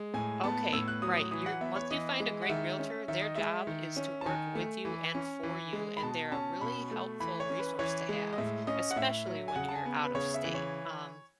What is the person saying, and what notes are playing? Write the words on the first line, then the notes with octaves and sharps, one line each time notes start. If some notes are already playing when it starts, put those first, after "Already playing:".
Okay, right, you're once you find a great realtor, their job is to work with you, and for you, and they're a really helpful resource to have, especially when you're out of state, um,
Already playing: G#3
A2 G#5
B3 A5
A2 E6
F#6
F#3 D#6
D#6
E3 D#6
F#5
B3 E5
C#5
E3 D#5
G#3
F#5
D#3 E5
C#4
D#3 E5
D#5
G#3 E5
D#3
C#4
A5
D#3 G#5
A3
E3
C#4
E3
G#3
B5
B2 A5
C#4 A5
B2 B5
A3
E3 B5
C#5
C#4
B4
E3 C#5
G#3
D#5
A2 E5
C#4 D#5
F#5
A2 E5
F#3
G#5
C#3 F#5
A5
G#5
B3
B4
C#3 C#5
E5
E3
C#5